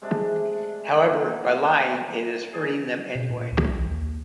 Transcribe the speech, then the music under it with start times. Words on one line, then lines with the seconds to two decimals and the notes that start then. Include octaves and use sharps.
However, by lying, it is hurting them anyway.
0.02 C3 G#3 A3 D4
1.03 A2 A#3 F#5
2.53 G#4 D5 G#5
3.15 B2
3.30 A#2
3.52 D2
3.68 B1
3.88 D#2